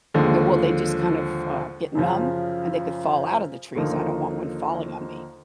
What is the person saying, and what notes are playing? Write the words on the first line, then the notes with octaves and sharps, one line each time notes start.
at well, they just kind of, uh, get numb and they could fall out of the trees. I don't want one falling on me,
D#2 D3 F3 G#3
F#2 C#3 F3
D#2 D3 F3 A#3 D#4